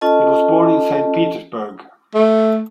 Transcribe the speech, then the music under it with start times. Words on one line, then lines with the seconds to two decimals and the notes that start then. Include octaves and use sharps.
He was born in Saint Petersburg.
0.01 C#4 F4 A4 D#5 A5
2.15 A3